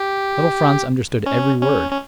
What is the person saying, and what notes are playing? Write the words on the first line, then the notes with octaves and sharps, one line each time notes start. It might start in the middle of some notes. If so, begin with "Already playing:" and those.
Little Franz understood every word.
Already playing: G4
C#4
C#4
C#4